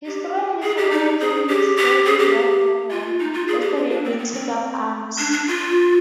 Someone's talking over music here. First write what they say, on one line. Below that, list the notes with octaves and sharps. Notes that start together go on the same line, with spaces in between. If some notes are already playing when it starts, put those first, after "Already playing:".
He strongly supported Germany's role in World War One: Yesterday we took up arms.
G4
G#4
G4
D#4
G#4
G4
G4
G#4
G4
F4
D#4
F4
G#4
G4
F4
D4
C4
B3
C4
D4
D4
F4